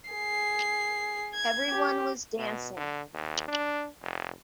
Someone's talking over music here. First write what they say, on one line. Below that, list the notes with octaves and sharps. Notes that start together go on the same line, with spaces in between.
Everyone was dancing.
G#4 C7
G#6
G4
B2
D3
D#2
D4
F1